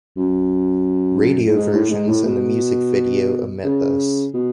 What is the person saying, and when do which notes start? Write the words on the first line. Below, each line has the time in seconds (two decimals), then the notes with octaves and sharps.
Radio versions, and the music video, omit this.
0.17 F#2
1.47 A2
1.56 G#2
1.73 A2
1.90 G#2
2.08 A2
2.25 B2
3.64 C#3
4.34 B2